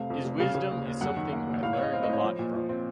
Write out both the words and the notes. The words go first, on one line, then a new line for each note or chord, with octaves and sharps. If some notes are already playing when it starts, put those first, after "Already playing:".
His wisdom is something I learned a lot from.
Already playing: F1 C3 A3 F5
F2
F1
C#3 F5
C#3
D#2
D#2
F#2 F#5
D#3
A#3
F#1
A2 F5
C#5
A2 D#5
C4 F5
D#5
A2 C#5
F3
A#2
F3
C4